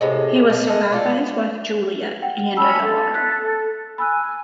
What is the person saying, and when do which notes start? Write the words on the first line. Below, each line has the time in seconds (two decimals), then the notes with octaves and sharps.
He was survived by his wife, Julia, and a daughter.
0.01 A2 C3 G#3
0.50 B2
0.67 G#3 A3
0.92 A3 F4 D5
2.22 F#5 G5
2.57 C#4 A5 B5 E6
2.82 A4
3.14 F#6 A6 B6
3.98 G#5 B5 E6 F#6